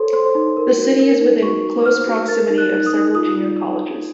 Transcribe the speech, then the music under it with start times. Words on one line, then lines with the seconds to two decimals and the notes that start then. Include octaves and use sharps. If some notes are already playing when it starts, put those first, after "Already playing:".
The city is within close proximity of several junior colleges.
Already playing: A4 C5 C#5 C6
0.13 C5 C6
0.35 D#4
0.57 A#4
0.78 F#4
1.00 A#4
1.21 D#4
1.42 F#4 C#6
1.64 F#4
1.85 C5 F6
2.07 F#4
2.28 A#4 A6
2.50 D#4
2.58 F#6
2.72 D#4
2.86 D#6
2.93 D#4
3.15 F4 D#6
3.36 F4